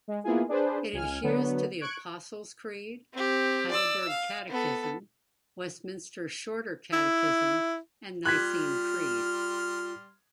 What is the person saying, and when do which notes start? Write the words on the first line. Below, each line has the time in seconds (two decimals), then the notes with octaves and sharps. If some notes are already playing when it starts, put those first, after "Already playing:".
It adheres to the Apostles Creed, Heidelberg Catechism, Westminster Shorter Catechism and Nicene Creed.
0.08 G#3
0.24 A#3 B3 E4 F4 G#4
0.49 D4 G#4 B4 C5
0.93 C#2 G#5 F6
1.23 D3 F#3 B3 B4
1.80 C#6 F#6 G#6 D7
3.13 C4 G4
3.71 D5 E6
4.09 F5
4.49 B3 A4
6.93 E4
8.26 G3 F4 C6 F6 F#6 G#6 B6